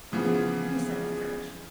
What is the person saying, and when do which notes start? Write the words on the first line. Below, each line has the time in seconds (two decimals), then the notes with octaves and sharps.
And you said the French...
0.12 C#3 E3 F3 B3